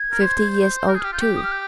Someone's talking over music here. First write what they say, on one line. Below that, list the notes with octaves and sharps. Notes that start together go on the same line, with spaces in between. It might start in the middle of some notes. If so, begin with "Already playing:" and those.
Fifty years old, too!
Already playing: G#6
A#4
C5
G6
A#4 G6
G#4
G4 F6
F4 G6
G4
D#6
F6
G6